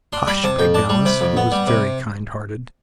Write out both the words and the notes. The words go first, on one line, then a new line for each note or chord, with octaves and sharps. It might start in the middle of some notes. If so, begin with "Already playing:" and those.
"Hush!" begged Alice, who was very kind-hearted.
D4 C6
G3 B5
C3 A5
F2 G5
D4 A5
G3
C3 B5
F2
B3
G3
C3